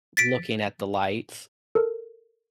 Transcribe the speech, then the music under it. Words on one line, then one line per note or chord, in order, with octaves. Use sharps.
looking at the lights
A6 B6 D7
A4 A#4